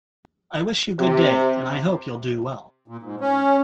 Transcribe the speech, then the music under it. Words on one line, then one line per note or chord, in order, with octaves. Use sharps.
I wish you good day, and I hope you'll do well.
C3
A#2
G#2
C#4